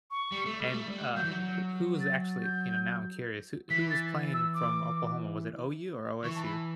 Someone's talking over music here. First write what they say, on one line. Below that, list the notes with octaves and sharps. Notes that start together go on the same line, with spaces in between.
And, uh, wh who's actually you know, now, I'm curious wh who was playing from Oklahoma, was it OU or OSU?
C#6
G3
A3
G3
A3
G3
F#3 G6
E3
F#3
A6
G6
E3 B6
A6
E6
D6
E3 C#6
A5
B5